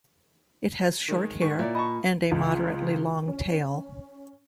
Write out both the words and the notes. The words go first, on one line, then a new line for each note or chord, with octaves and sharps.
It has short hair and a moderately long tail.
D#3 G#3
G#2 D#3 C#6
A#2 E4 C#5 D5
D#5 A5 B5 C#6
C#2
C#4